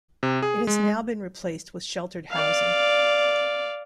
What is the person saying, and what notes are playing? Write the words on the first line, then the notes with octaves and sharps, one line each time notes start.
It has now been replaced with sheltered housing.
C3
G#4
G#3
D5 F5